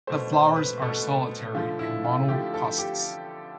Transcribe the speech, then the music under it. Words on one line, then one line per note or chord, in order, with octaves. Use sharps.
The flowers are solitary in "Monocostus".
B2 A3 C5
C5
B4
B2 A3 A4
D3 F3 A3 F4
E4
F4
D3 F3 A3 G4
A4
G4